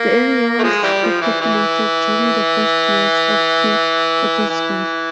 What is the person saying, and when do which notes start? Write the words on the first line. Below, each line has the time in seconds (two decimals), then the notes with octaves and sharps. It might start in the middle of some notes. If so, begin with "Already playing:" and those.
The area was repopulated during the first years of King Otto's rule.
Already playing: A#3
0.59 A3
0.63 F3 G#3
0.83 E3 G3
1.02 F3
1.21 E3
1.41 E3
4.50 E3